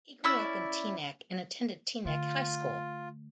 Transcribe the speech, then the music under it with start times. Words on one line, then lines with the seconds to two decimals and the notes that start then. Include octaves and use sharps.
He grew up in Teaneck, and attended Teaneck High School.
0.24 C#4 E4 D5 E6
2.05 D3 A3 F4